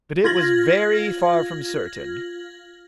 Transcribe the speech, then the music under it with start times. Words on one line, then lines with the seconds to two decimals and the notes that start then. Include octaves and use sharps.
But it was very far from certain.
0.24 F4 G#6 A#6 F#7